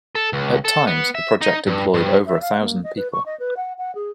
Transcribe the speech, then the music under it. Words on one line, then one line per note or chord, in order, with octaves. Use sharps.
At times, the project employed over a thousand people.
A4
C#2
A4
B3
E5
D#4
G2
G2
E5
F5
A#3
D#5
B4
C#6
D#5
B4
F#5
F#5
G#4